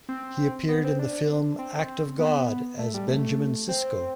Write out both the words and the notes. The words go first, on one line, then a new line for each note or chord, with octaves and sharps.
He appeared in the film "Act of God" as Benjamin Cisco.
C4
B3
C4
D4
C4
B3
A3
G3
A3
C4